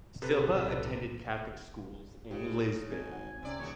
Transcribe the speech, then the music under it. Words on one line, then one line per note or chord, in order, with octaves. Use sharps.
Silva attended Catholic schools in Lisbon.
B1 A2 C3 A4 B4
G#2 C#3 F4 G4
G#1 G#5
F#5
C2 C3 C#4 D5
D#1 D#2 C#3 F#4 C#5